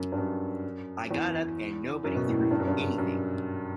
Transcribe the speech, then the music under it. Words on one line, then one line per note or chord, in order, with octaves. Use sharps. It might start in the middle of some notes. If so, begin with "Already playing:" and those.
I got up and nobody threw anything.
Already playing: F#2
G2
F#2
E2
F#2
B2
A2
A2
G2
F#2
G2
F#2